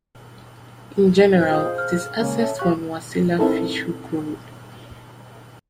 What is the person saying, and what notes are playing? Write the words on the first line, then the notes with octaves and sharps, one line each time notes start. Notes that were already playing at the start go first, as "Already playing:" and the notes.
In general it is accessed from wasilla fishhook road.
F#2 C5
F4 G#4 D#5 F5 D#6
F6
C#3 G#3 A#3 C#4
A4 C#5 E5 A5
G4 F5 C#6 F#6
C4 D#4 E4 A4 A#4